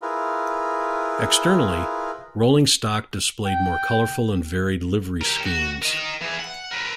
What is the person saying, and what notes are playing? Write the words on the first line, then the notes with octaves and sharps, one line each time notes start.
Externally, rolling stock displayed more colourful and varied livery schemes.
E4 F4 G#4 A#4 B4
G5
G4 A#4
F#4
A#4 D#5
E3 G#4
F#5
A#4 B4